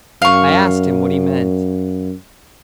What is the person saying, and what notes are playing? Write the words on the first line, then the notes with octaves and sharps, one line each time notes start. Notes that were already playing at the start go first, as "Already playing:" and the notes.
I asked him what he meant.
F#2 F5 C#6